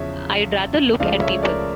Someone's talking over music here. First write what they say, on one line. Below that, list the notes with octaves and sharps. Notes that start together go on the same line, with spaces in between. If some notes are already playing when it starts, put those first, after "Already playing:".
I’d rather look at people.
Already playing: E2 C#3 F3 C#5 E5
C#2 C#3 F3 A3 D5 F5
C#5 E5
A#4 D5